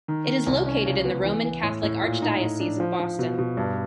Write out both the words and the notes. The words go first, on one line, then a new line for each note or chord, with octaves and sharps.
It is located in the Roman Catholic Archdiocese of Boston.
D#3
D#3
C2
C#4
C#2
B3
E3
E3
A2
A2
A#2
D#4
A2
D4
F3
F3
B2
B2
G2